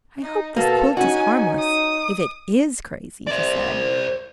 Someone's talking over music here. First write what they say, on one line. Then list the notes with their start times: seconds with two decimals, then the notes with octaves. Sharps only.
"I hope this quilt is harmless if it IS crazy," he said.
0.23 D#4
0.56 B2 A#3 A4
0.97 C#4 D#4 F#4 G#5
1.59 D#6
3.27 C5 D5